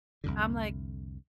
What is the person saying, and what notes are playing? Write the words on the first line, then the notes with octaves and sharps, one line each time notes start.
I'm like
C2 F2 D3